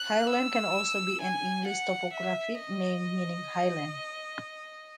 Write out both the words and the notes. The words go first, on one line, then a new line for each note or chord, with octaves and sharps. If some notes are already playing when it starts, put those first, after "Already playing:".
Hyland can also be an English topographic name meaning "high land".
Already playing: F#6
E6
G#5
F#5
E5
D#5